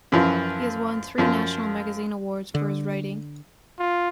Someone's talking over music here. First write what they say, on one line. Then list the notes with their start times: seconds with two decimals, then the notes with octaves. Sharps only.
He has won three National Magazine Awards for his writing.
0.12 F#2 E3 F3
1.18 F#2 F3
2.55 D3
3.79 F4